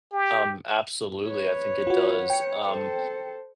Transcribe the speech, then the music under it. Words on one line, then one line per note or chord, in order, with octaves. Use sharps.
Um, absolutely, I think it does. Um,
G4
B4 C#5
F4 F#4
G5 C#7
A4 C5